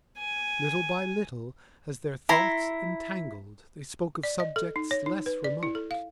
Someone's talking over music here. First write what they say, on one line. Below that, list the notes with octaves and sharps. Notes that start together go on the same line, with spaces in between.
Little by little, as their thoughts entangled, they spoke of subjects less remote.
G#5
E4 A#5 C6
D5
D#5
A4
D#4
C#5
D#4
B4
D5
E4
A4
F5